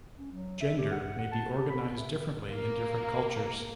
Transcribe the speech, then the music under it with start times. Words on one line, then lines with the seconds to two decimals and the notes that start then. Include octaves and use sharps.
Gender may be organized differently in different cultures.
0.17 C#4
0.32 F#3
0.61 E5
0.77 G4
0.91 F#5
1.18 F#5
1.32 A5
1.54 G4
1.69 B5
1.82 C4
1.99 E5
2.50 A#3